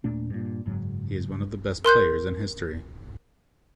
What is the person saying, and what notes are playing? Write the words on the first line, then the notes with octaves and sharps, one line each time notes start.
He is one of the best players in history.
D#1 A#2 A3 D4
G2 A#2
F#1 G#2 F#3
A#4 C6 F#6 G6